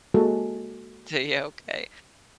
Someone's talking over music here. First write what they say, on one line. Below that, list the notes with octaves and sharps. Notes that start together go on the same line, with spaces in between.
Tuh yeah, okay.
G#3 A#3 F#4 A4